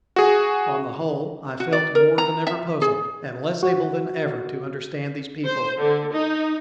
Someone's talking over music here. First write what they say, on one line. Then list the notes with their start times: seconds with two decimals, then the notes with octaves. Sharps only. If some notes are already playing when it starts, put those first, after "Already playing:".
On the whole, I felt more than ever puzzled, and less able than ever to understand these people.
0.16 F#4 G#4
1.60 F#4
1.72 D5
1.95 A#4
2.18 A#5
2.47 E5
2.82 G#4
3.63 F#4
5.45 C5
5.79 D3
6.14 D#4